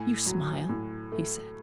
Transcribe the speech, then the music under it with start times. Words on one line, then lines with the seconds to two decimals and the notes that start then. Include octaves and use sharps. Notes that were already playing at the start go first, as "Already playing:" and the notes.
"You smile," he said?
Already playing: A2 G#5
0.26 F#3
0.69 A2
1.12 A3